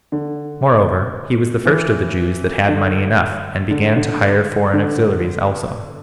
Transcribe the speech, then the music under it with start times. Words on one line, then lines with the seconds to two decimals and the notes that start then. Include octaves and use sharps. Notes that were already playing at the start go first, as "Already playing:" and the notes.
Moreover, he was the first of the Jews that had money enough, and began to hire foreign auxiliaries also.
0.12 D3
1.65 E3
2.69 D3
3.71 D3
3.96 D3
4.73 D3